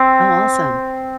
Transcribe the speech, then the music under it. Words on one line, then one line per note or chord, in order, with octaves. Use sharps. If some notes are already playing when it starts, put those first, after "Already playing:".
Oh, awesome.
Already playing: C4